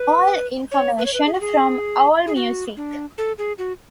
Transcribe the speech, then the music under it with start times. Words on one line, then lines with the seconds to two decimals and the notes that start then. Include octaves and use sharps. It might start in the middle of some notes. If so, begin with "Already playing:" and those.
All information from Allmusic.
Already playing: B4
0.72 C#5
0.98 B4
1.06 C#5
1.13 B4
1.26 G#4
1.34 F#4
1.41 G#4
2.27 G#4
2.36 F#4
2.77 D4
3.18 A4
3.38 G#4
3.58 F#4